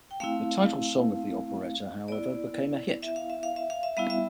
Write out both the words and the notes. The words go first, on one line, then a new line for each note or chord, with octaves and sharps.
The title song of the operetta, however, became a hit.
G5
A3 C4 E4 F5
B3 E4 D5
E5
F5
E5
F5
E5
F5
E5
G3 B3 E4 F5
E5